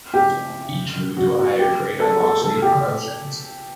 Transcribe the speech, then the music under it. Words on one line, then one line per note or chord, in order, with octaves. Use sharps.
Each move to a higher grade unlocks new promotions.
G4
F#4
F#4
G4
A4
A4
A4
G4